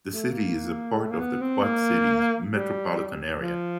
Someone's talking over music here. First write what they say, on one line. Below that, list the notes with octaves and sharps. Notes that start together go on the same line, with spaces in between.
The city is a part of the Quad Cities Metropolitan Area.
A3
A#3
G#3
A3
A#3
B3
C4
A#3
G3
F3